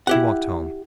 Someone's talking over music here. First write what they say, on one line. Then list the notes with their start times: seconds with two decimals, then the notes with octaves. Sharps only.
She walked home.
0.07 E4 G4 F#5